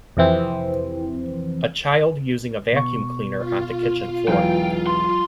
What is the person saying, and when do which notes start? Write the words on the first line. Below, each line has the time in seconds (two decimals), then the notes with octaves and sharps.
A child using a vacuum cleaner on the kitchen floor.
0.17 F2 C3 E3 C4
2.73 B2 B3 C#6
3.36 F4
4.28 E1 E3 F#3 F5 G5
4.87 C6